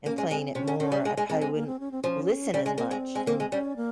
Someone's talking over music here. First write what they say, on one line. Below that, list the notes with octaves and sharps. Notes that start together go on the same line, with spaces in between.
and playing it more, I probably wouldn't listen as much and
A#3 C#4
G#3
G#3 C4
C3 C#4
C#3
D#3 C#4
G3
G#3
G#3
G#3 C4
G#3
A#3
C4
C#4
C4
F3 C#4
G3 C#4
G#3
C#4
A#3 C4
G#3
G#3
A#3
G#3
G3 C#4
A#3